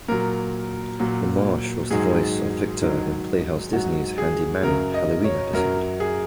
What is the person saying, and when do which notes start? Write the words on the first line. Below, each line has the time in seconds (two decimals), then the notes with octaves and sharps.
LaMarche was the voice of Victor in Playhouse Disney's "Handy Manny" Halloween episode.
0.08 A#2 F#3 A#4
1.00 A#2 F#3
1.91 G#2 D#3 F#3 G#4
2.81 G#2 D#3 F#3
3.72 G#2 F#3 F#4
4.18 G#4
4.63 F#2 C#3 F#3 A#4
4.94 D#5
5.24 C#5
5.54 F#2 F#3 A#4
6.00 G#4